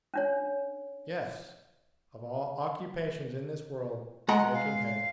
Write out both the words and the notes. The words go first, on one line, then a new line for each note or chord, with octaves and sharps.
Yes, of all occupations in this world, making hay!
C#4 D4 C#5
G#3 D#5 F#5 A#5
F5